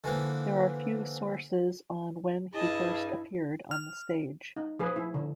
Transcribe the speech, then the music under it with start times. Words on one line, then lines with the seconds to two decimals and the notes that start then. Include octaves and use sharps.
There are few sources on when he first appeared on the stage.
0.04 D3 E3 F3 A#3
2.54 G2 E4 G#4 D#5 A5
3.71 F6
4.56 D#4
4.79 F3 G#4 B4
4.96 E4
5.14 D3